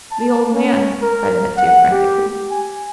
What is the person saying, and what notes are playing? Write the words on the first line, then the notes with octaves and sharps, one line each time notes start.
"The old man!" cried Mitya frantically.
A5
C#4
A#4
F#5
G4
G#5